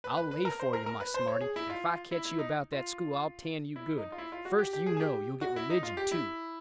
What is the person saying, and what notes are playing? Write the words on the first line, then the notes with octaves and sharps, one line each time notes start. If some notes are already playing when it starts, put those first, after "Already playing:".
I'll lay for you, my smarty; and if I catch you about that school I'll tan you good. First you know you'll get religion, too.
B4
B4
B4
A#4
C5
A#4
A#4
B4
C5
C#5
G#4
E4
F4
E4
E4
D#4
F4
E4
D#4
F4
E4
F4
F#4
G4
G4
G#4
G#4
G4
F#4
E4
D#4
F4
G4
E4